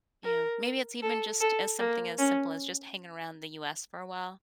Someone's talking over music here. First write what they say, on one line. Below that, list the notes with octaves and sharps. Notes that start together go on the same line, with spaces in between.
You know, maybe it's even just as something as simple as just hanging around the US for a while.
A#4
A4
A4
A#3
C#4